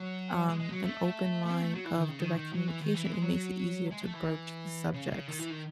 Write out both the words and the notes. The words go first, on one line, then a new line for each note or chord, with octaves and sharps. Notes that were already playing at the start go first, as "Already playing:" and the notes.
um, an open line of direct communication, it makes it easier to broach the subjects,
Already playing: F#3
G#3
G#3
F#3
A3
A3
C4
A3
F#3
E3
D#3
C#3
D#3
D#3
F#3
E3
D#3
E3
G#3
F#3
G#3
A3
E3
C#3
C#3
D#3
E3
D#3